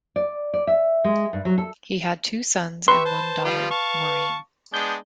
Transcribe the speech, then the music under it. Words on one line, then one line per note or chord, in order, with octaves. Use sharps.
He had two sons and one daughter, Maureen.
D5
D5
E5
G#3
G2
F#3
A4
G4 B4 E5 C6 C#6
C5 A5
F3 G3 F4
F5 A5 C#6
G#3 B3 D4 G6